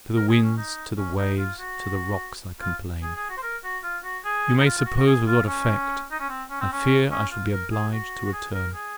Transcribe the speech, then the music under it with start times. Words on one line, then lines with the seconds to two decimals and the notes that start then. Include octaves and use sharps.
"To the winds, to the waves, to the rocks I complain"--you may suppose with what effect! I fear I shall be obliged to return.
0.16 A#4
0.29 G#4
0.43 C#4
0.57 D#4
0.98 C#4
1.18 D#4
1.38 F4
1.59 F#4
2.61 F4
3.03 G#4
3.15 G#4
3.29 F#4
3.37 C5
3.42 A#4
3.64 F#4
3.83 F4
4.04 F#4
4.25 G#4
4.59 D#4
4.66 F4
4.78 F4
4.85 F#4
4.97 F#4
5.07 G#4
5.27 F4
5.47 C#4
6.12 D#4
6.20 C#4
6.29 C4
6.50 C#4
6.61 C4
6.72 C#4
7.11 C#4
7.31 F4
7.52 A#4
7.72 G#4
7.92 F#4
8.25 F#4
8.33 G#4
8.54 A#4
8.74 G#4